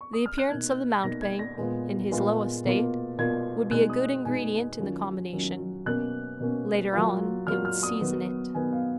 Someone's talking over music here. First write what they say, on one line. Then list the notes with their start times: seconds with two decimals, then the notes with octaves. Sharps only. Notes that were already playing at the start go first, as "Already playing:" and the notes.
The appearance of the mountebank, in his low estate, would be a good ingredient in the combination; later on it would season it.
0.01 C#6
0.13 D#6
0.26 F6
0.38 F#6
0.49 B2 A#3 D#4 G#6
1.03 B2 A#3 D#4 A#6
1.22 G#6
1.39 A#6
1.57 A#2 G#3 B3 F4
2.11 A#2 G#3 B3 F4
2.65 B2 A#3 F4
3.18 B2 A#3 F4 G#6
3.71 B2 G#3 D#4 F#6
3.89 D#6
4.25 B2 G#3 D#4 G#5
4.79 D#3 F#3 C#4 F4
5.32 D#3 F#3 C#4 F4
5.86 B2 A#3 C#4 F#6
6.40 B2 A#3 C#4
6.93 F#3 A#3 F4
7.47 F#3 A#3 F4 F6
7.65 F6
7.83 D#6
8.01 D#3 F#3 B3
8.55 D#3 F#3 B3 G#5
8.72 F5